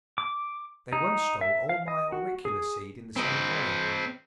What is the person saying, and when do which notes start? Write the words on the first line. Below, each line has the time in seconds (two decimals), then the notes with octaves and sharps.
They once stole all my Auricula seed in the same way.
0.18 D6
0.93 D#4
1.41 E5
1.69 F5
1.88 D#5
2.12 F#4
2.45 G#4
3.16 C4 D#5